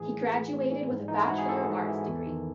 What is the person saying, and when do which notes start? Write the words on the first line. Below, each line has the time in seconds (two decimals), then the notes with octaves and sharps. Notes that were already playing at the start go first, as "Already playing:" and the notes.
He graduated with a Bachelor of Arts degree.
Already playing: A2 E3 G#4
0.13 A2
0.33 E3
0.52 A2
0.71 E3
0.91 G#2
1.08 E3 D#4
1.18 E4
1.28 G#2 F#4
1.38 G#4
1.49 E3 A4
1.68 G#2
1.87 E3
2.07 E2
2.26 D#3